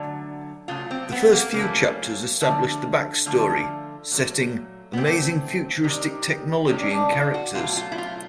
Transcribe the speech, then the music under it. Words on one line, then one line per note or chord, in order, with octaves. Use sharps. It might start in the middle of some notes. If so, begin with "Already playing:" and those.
The first few chapters establish the backstory, setting, amazing futuristic technology and characters.
Already playing: D3 F#3 A3
C#3 F#3 A3 F4
C4
B3
A#3
C#3 F#3 A3 A#3
D3 F3 A3
D3 F3 A3
A#2 F#3 A3
B3
A#2 F#3 A3 C4
C3 D#3 G3
C3 D#3 G3 C#4
C#4
D4
F4
F#4
B2 F#3 A3 F4
F4
E4
F4